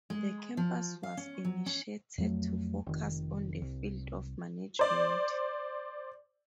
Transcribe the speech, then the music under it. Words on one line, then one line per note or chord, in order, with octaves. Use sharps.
The campus was initiated to focus on the field of management.
G#3
F3
F5
C#4
F#3
C#4
F2 F#3 A3
F1 D#3
C2
C5 D5